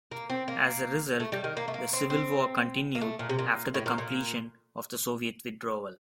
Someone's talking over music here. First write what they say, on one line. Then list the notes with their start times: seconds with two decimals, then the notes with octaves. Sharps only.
As a result, the civil war continued after the completion of the Soviet withdrawal.
0.11 A#3
0.30 C4
0.48 A#3
1.20 A3
1.32 G3
1.44 D#3
1.57 A#3
1.68 A3
1.74 A#3
1.93 C4
2.10 C4
2.95 A#3
3.01 A3
3.19 A#2
3.29 C3
3.39 A#2
3.74 A2
3.86 A#2
3.98 A#2